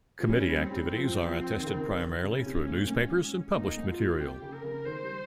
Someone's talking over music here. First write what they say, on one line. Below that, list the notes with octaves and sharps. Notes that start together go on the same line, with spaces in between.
Committee activities are attested primarily through newspapers and published material.
F3
G3 C#4
G3
C4
G3
F3
F3
D#3
C#3
D#3
C#3 C#4
C3
A#2
G#2
A#2 D#4
G#2
F4
A#2
C3 G4
C#3
A#4
C#3
D#3 C5
G3